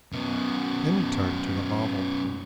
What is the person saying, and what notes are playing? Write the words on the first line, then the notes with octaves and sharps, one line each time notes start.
Then he turned to the hovel.
F#2 B2